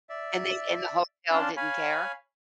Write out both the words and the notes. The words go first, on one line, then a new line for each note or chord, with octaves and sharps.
And they and the hotel didn't care?
D5 E5
C#4 D4 D5 F5 A5 C6
C#5 F5 G#5 B5